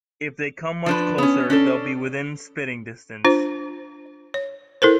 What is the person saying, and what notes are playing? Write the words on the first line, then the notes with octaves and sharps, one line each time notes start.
If they come much closer, they'll be within spitting distance.
F3 D4 B4
B3 C#4
C#4 D4 A4
D4 F4 C5
C#5
E4 A4 A#4 C5